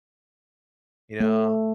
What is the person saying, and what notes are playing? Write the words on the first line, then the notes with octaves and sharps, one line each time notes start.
You know?
A3